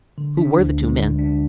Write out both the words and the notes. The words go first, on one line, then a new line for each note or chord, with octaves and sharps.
"Who were the two men?"
D3
D4
D2
G#3
D3
D4